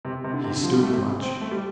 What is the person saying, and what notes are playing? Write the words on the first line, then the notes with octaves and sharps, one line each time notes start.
He stooped much.
C3
C3
D3
C3
D3
F3
G3
A3
C3
C4
A3
G3